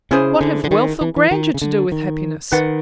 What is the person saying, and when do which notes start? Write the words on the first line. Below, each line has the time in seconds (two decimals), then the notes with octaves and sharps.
"What have wealth or grandeur to do with happiness?"
0.11 C#3 C#4 E4 G#4 C5
0.41 D3
0.64 D3
0.71 D#3
1.01 E3
1.16 E3
1.31 D#3
1.54 C#3
1.62 D3
1.92 D#3
2.52 D#3 B4 D5 F#5